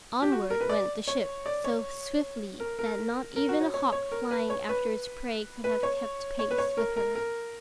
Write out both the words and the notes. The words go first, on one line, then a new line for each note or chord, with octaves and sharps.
Onward went the ship, so swiftly that not even a hawk flying after its prey could have kept pace with her.
G4
F#4
A#4
B4
D5
C#5
D5
C#5
A#4
A#4
A#4
F#4
C#5
C#5
C#5
A#4
B4
C#5
B4
B4
C#5
C#5
B4
C#5
A#4
A#4
A#4